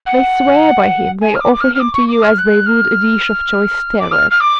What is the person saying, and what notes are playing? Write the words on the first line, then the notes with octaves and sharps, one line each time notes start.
They swear by him, they offer him to you as they would a dish of choice sterlet.
F#5
G#5
F6
D6
D6
F6
F6
D6
C#6
D6
F6
F#6
F6
D6
F6
F6
D6